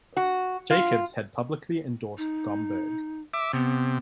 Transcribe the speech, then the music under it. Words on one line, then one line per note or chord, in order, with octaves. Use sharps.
Jacobs had publicly endorsed Gomberg.
F#4
F4
D#4
E5 D6
C3 B3